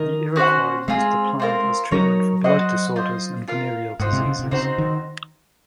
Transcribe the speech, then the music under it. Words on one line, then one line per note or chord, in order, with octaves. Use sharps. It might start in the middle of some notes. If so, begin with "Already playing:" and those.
The Iroquois used the plant as treatment for blood disorders and venereal diseases.
Already playing: D#3 A#4 D#5
C#4 F#4 C5 F#5
G#3 C4 F4 G#4
C4 F4 A#4
F#3 D#4 A#4 C#5
F#4 C5 D#5 F#5
F4 C5 D#5
F4 A#4 F5
G#2 F4 C5 D#5 F#5
C3
C#3
C3
C#3 C4 D#4 F#4 C5
D#3